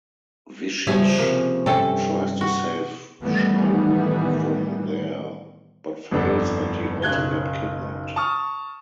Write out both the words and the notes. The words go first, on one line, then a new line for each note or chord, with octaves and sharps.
Vishesh tries to save Shalu from there but fails and he also get kidnapped.
C#3 F3 G3 E5 G#5
C3 A#3
G2 C3 C#4 A4
F#4
A2 D#3 E3 G3 A3 B3
G1 F2 B3 D4 A4
F#1 B1 F#6 G#6 G7
A5 C#6 D#6 F6